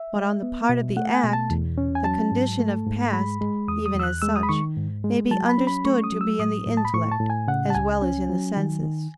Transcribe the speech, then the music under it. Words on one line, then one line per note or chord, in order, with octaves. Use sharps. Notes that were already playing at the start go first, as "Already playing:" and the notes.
But on the part of the act, the condition of past, even as such, may be understood to be in the intellect, as well as in the senses.
Already playing: E5
G#3
B3
B2
A3 F#5
G#5
B2
A5
E2
C#4
G#5
F#3 A5
G#2
A3
G#2
G#3 B5
G#3
E2 D#6
D#6
E2 E6
F#6
G#3 E6
D#6
B5
D#3 C#6
G#2
G#3
F#3 A5
B5
C#4
B5
A3 C#6
D#6
F#3
E6
A2 D#6
A2
A5
B5
A2 C#6
A5
A2
G#5
C#3 F#5
A5
C#2 G#5
C#4
F#3
D#3
D#3